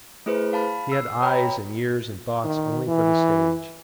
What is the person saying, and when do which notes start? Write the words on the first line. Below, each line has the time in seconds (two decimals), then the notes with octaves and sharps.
He had eyes and ears and thoughts only for the stage.
0.26 A3 E4 G#4 B4 C5
0.53 F5 A5 B5
0.92 E6 C7
1.22 C#5 G5 A#5 B5
2.45 D#3
2.87 E3